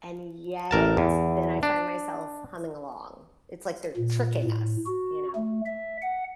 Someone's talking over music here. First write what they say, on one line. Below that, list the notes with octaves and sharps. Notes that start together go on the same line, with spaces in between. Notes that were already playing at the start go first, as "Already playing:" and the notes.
and yet, then I find myself humming along, it's like they're tricking us, you know,
A1 A#4 A5
E2
D4
A#2
A2
F#4
A3
E5
F#5